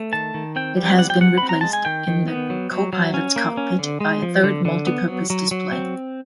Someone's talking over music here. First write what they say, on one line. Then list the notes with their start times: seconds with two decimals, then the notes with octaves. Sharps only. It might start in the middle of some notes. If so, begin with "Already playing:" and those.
It has been replaced in the co-pilot's cockpit by a third Multi Purpose Display.
Already playing: A3
0.13 D#3 A5
0.34 D#3
0.56 C4 G5
0.77 G3
0.99 F3 F#5
1.10 G5
1.21 F3 F#5
1.38 B5
1.43 C4
1.49 A#5
1.61 G#3 A5
1.73 G#5
1.85 D#3 G5
2.07 D#3
2.28 B3
2.50 F#3
2.71 F#3
2.93 F#3
3.14 C#4
3.36 A#3
3.57 C#4
3.79 D3
4.00 G#3
4.22 F3
4.44 D3
4.65 D3
4.87 B3
5.08 F#3
5.30 F#3
5.51 F#3
5.72 C4